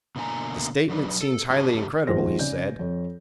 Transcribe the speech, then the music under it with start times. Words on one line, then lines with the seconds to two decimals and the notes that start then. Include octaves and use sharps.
"The statement seems highly incredible," he said.
0.16 B2 D3 A#3 D#4 G#5 A#5
0.89 F#3 D4 B4
1.21 A4
1.50 G#2 D3 F#4 G4 A5
2.07 D#1 G#1 F3 G#4 C5 A#6
2.39 C#3 D5 G6
2.79 F2 C#5